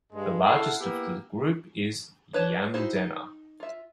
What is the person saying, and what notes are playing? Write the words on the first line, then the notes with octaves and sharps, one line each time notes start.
The largest of the group is Yamdena.
G2 G#3
E4 A4 F5 F#5
A#3 B3 E4 G4
D4 B4 C#5 A5
D#4 E4 F#4 G#4 C5
D#4
F4 E5